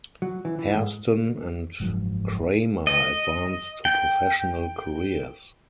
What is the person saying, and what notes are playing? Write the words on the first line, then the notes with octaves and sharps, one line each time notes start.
Hairston and Kramer advanced to professional careers.
F#3
E3
E3
G#2
F#1 G#2 F3 F#3
D#5
G5